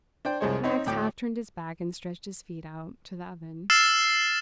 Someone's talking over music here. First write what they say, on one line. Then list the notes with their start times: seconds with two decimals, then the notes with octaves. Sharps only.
Max half turned his back and stretched his feet out to the oven.
0.25 D4 C5 G5
0.40 C2 F2 G#3 C5 C#5
0.64 C4 D#4 C#5
0.86 D2 A2 G5 D6
3.70 E6 F6 A6 C7 E7